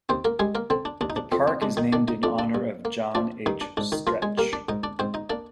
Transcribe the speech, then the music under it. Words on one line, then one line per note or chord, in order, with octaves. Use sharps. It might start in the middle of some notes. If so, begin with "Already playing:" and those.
The park is named in honor of John H. Stretch.
D#2 C4 C5
A#3 A#4
G3 G#3 G#4
A#3 A#4
D3 C4
D4
D#2 D4
D#4
D4
F2 C4
C4
G#3 D4
D#3 D#4
D#3 D4 D5
D#4 D#5
F2 D4 D5
D4 D5
G2
A#3
F3 D4 D5
G2 D#3 D#4
D4
G#2 D4
D#3 D#4
F3 A#3 F4
G#3 G#4
G3 A#3 A#4
D4 D5
G#2 D#4 D#5
D4 D5
G#2 C4 C5
D#4 D#5
A#3 D4 D5